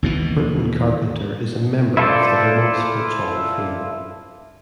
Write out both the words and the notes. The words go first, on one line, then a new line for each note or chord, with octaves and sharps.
Burton Carpenter is a member of the Vermont Sports Hall of Fame.
D#2 B2 E3
E4 F4 A4 C5 D5